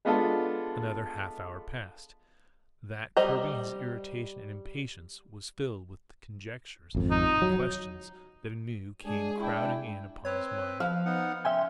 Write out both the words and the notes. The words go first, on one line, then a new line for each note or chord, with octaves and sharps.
Another half hour passed, that, curbing his irritation and impatience, was filled with the conjectures and questions that anew came crowding in upon his mind.
G#3 B3 D4 F4 A4
G3 C5 D#5 A#5
G#1 F2
D#4
F#3
G#3 D4 G#4
D4 E4 G5
C4 B4 C#5
F3 F5
B3 D#4 F#5
C#4 E5 G5 G#5 C6